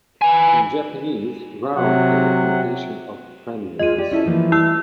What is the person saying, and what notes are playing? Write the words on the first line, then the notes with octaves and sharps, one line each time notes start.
In Japanese, round has a connotation of friendliness.
B4 G#5
C3 F#3 F#5
D#2 G#3 F4 D#5 D#7
G4 D5
C#4 E4 A4
E3 F3 A3 A#3
G3 E4 E6